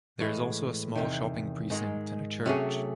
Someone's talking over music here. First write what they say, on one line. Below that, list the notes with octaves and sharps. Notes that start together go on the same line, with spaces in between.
There is also a small shopping precinct and a church.
A2 E3 G#3
E2 C3 D#3
G#2 D#3 G#3
C3 F#3 A3 C#4 G#4